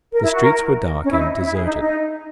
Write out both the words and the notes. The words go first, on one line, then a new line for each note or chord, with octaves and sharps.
The streets were dark and deserted.
A#4
E4
F#4
A#4
C#4
E4
D#4
E4
E4
G#4
D#4
D#4